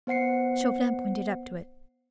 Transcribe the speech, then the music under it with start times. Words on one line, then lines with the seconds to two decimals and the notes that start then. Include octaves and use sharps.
Chauvelin pointed up to it.
0.07 B3 C5 F#5 C7 C#7